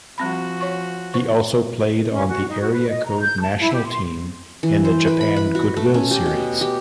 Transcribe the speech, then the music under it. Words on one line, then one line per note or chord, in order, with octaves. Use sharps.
He also played on the Area Code National Team in the Japan Goodwill Series.
F3 G3 C4 F#4 B5
C#5 C#6
B4 C5 C#6
C#4
F#4
D#4
F#4
B4
D#5
A#5
G6
A5
E4
G4
C6
E3
C5
B4
B5
B4
F#4
A3
C#4
G4
B2
G4